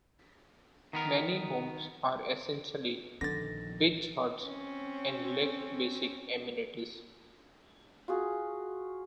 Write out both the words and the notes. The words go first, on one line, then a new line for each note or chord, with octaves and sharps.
Many homes are essentially beach huts and lack basic amenities.
D#3 B3 A#4
A#1 D3 D#3 F3 A6 A#6
C4 C#4
F4 F#4 G#4